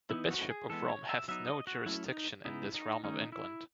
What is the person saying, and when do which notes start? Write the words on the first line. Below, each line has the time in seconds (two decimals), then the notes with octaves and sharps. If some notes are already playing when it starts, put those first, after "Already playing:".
The Bishop of Rome hath no jurisdiction in this Realm of England.
0.11 E3 B3 D#4 E4
0.31 F#4
0.50 G#4
0.69 E3 G#3 B3 A4
0.89 C#5
1.09 E5
1.28 F#3 B3 D#4 E5
1.47 D#5
1.67 F#4
1.86 F#3 A3 C#4 E4
2.06 D#4
2.45 C#3 G#3 B3 D#4 E4
2.74 D#4
3.04 D#3 A3 C#4 D#4
3.32 E4